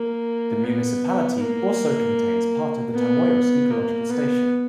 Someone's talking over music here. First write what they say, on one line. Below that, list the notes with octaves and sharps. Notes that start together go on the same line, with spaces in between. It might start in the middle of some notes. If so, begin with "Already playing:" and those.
The municipality also contains part of the Tamoios Ecological Station.
Already playing: A#3
B3
A#3
B3
A#3
B3